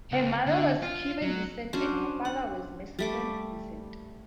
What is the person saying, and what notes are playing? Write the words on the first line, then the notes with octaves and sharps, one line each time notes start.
Her mother was Cuban descent and her father was Mexican descent.
C#2
D3
F4
F#3
C#4 D4 F#4 C5
F#5
G3 A3 D6